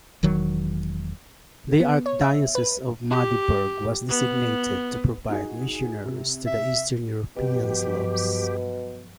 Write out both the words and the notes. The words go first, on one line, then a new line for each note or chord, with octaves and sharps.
The Archdiocese of Magdeburg was designated to provide missionaries to the eastern European Slavs.
E1 D#3 F#3
B3
C#5
E5
B4
G4
B3
D#4 F#4 G#4
C3
E5
G2 B2 F3 F#3 G4